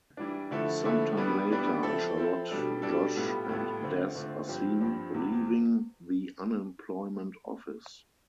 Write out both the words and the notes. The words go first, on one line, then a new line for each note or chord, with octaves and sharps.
Some time later, Charlotte, Josh, and Des are seen leaving the unemployment office.
E3 G3 D4
D3 F3 A3 E4 A4
D3 F3 A3 E4 A4
E3 G3 B3 D4
E3 G3 B3 D4
F3 C4 E4 A4
F3 C4 E4 A4
B2 G3 D4 A4
B2 G3 D4 A4
A2 G3 B3 F4 A4
A2 G3 B3 F4 A4
D3 A3 C4 F4
D3 A3 C4 F4
G2 F3 C4 G4
G2 F3 C4 G4
E2 C3 F3